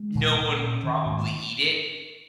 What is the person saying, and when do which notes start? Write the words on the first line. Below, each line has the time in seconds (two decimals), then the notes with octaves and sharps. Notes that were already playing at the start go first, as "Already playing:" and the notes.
no one would probably eat it.
Already playing: G#3
0.15 A#2
0.37 A#2
0.60 C#4
0.83 D#3
1.06 G#2